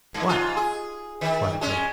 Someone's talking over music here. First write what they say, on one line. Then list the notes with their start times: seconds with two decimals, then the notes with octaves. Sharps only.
"What?" flatly.
0.14 G2
0.27 G#2 F4
0.57 G#4
1.21 D#3
1.61 G#3 C#4